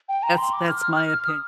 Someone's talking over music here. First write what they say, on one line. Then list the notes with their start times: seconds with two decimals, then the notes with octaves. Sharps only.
that's that's my opin
0.09 G5
0.23 A#5
0.38 C6
0.53 D6
0.68 F6
0.82 F6
0.97 F6
1.12 F6
1.27 D#6